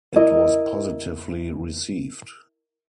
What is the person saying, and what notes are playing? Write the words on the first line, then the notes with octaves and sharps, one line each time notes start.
It was positively received.
E4 A#4 D#5